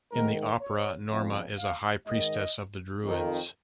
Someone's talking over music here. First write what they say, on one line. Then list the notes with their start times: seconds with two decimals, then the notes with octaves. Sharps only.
In the opera, Norma is a high priestess of the Druids.
0.11 G#2 D#3 A#4
0.60 C#5
1.09 F2 C#3
1.58 F5
2.06 G#2 D#3 D#5
3.05 F2 D#3